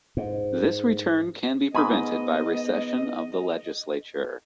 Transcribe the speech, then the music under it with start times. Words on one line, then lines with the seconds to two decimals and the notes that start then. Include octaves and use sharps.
This return can be prevented by recession of the Legislature.
0.17 G#2
1.75 G#2 B3 D#5 G#5 B5 D#6